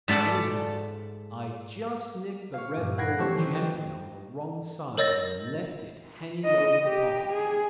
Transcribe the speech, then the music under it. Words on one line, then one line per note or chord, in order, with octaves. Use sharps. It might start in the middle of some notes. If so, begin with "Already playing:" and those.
Anyhow, I just nicked the red ball gently on the wrong side and left it hanging over the pocket.
G#2 A3 D5 F#5 A5
C#5 F5
G2 A#2
F#5 B5 G#6 A#6 C7 D7
E3 A3 C4 G4 C5 C#5
D#3 E3
B4 D#5 G5
A#4 C#5 D#5 E6 A6 A#6
D#5
G4
G#4